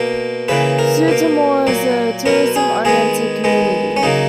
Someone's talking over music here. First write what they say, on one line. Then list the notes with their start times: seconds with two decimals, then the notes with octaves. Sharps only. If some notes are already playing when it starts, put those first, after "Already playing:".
Sutomore is a tourism oriented community.
Already playing: B2 A#3
0.48 C#3 E3 A#3 B4
0.79 A#4
1.08 B2 A#3
1.67 A#2 F#3 A#3
2.26 B2 F#3 B3 A#4
2.56 G#4
2.85 D#3 G#3 B3 G#4
3.44 D#3 G#3 B3
3.97 C#4
4.03 C#3 F#3 A#3 D#4